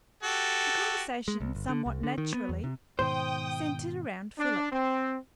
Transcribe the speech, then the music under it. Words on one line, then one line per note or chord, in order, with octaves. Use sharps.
The conversation somewhat naturally centered around Philip.
F#4 G4 A4
G#3
C2
G1
D3
C2
D3
D#3
B3
E2
C3
G#2 B2 D#3 C5 G5 D#6
D4
C4